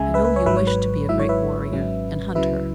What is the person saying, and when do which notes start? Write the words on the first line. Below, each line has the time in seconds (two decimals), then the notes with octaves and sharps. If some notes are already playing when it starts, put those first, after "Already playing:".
I know you wish to be a great warrior and hunter.
Already playing: C#2 C#3 G#3 E5 G#5
0.14 B4 E5
0.25 B4
0.36 C#5
0.46 G#1 G#2 F#3 B4 E5
0.57 C#5
0.67 B4
1.09 G#1 G#2 F#3 E4 E5
1.19 C#5
1.29 B4 E5
1.73 G#1 G#2 F#3 C#4
2.35 C#2 C#3 F#3 E4 B4 E5